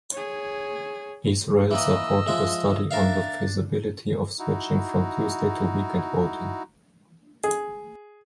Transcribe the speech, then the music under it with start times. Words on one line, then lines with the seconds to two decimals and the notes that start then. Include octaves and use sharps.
Israel supported a study on the feasibility of switching from Tuesday to weekend voting.
0.12 G#4 C#5
1.71 E3 A#3 B4 D#5 E6
2.28 F3 G#3 E5
2.91 D4 A#4 E5 F5 A6
4.39 D#4 E4 F#4
7.44 G#4